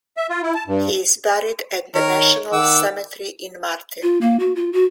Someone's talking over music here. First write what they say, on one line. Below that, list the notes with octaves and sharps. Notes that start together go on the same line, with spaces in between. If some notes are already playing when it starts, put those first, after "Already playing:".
He is buried at the National Cemetery in Martin.
E5
F4
E4
A5
G2
D#3 A#4 C#5
D#3 F#5 D6 E6
F4
A#3
F#4
F4
F#4